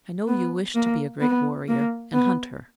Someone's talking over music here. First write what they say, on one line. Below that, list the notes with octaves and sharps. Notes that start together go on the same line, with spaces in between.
I know you wish to be a great warrior and hunter.
B3
A#3
B3
A#3
B3